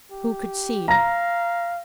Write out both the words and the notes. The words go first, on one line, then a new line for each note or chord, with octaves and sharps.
Who could see?
G4
F5 A#5 A#6